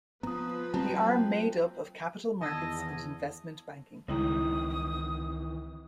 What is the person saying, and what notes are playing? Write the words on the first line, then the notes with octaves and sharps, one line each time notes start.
The arm made up of Capital Markets and Investment Banking.
F3 B3 B4 A#5 D#6
F#3 A3 A#3 C4 A5 A#5
E2 D#3 D#5 A5 E6 G#6
C#2 D#3 E3 G3 C4 E4 A#5 D#6